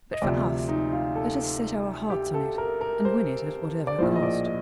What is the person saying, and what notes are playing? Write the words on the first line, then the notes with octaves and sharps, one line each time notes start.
But for us, let us set our hearts on it and win it at whatever cost.
D#5
D2 C3 F3 D5
D#4
F4
A4
G4
A4
A#4
A#4
C5
D5
A#1 A2 F3 C5
D#5
D5
D#5